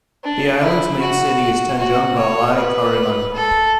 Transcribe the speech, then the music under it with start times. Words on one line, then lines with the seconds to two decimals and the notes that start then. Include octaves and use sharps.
The island's main city is Tanjung Balai Karimun.
0.24 D4
0.62 E4
1.01 F#4
1.78 F#4
2.18 C#5
2.56 B4
3.34 A4